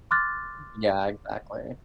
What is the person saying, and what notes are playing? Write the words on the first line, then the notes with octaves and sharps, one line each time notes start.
Yeah, exactly.
C6 D6 F6 F#6 A6